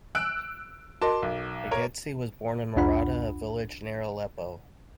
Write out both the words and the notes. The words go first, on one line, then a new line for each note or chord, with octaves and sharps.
Aygektsi was born in Marata, a village near Aleppo.
E6 F#6 D7
F#4 A#4 D#5 A5 C6 D6
B1
A#4 C#5
C2 F2 D4 F4 F#5 B5